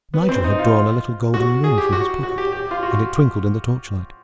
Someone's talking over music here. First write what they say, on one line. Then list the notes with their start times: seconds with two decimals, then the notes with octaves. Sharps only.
Nigel had drawn a little golden ring from his pocket, and it twinkled in the torchlight.
0.14 B3
0.29 C4
0.44 D#4
0.59 F4
1.34 F#4
1.64 G#4
1.78 G4
1.93 F#4
2.23 F#4
2.38 G4
2.52 G4
2.71 F4
2.83 F#4